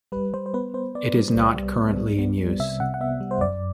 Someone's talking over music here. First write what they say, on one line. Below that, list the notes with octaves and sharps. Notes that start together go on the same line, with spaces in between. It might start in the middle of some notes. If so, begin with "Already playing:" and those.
It is not currently in use.
G3 B4
G3 C5
C5
B3 B4
B3 C5
B3 D5
G3
C2
G3
B3
G3
B3
G3
C3 E5
C3 F#5
F#5
B3 E5
G3
C5
F#2 D5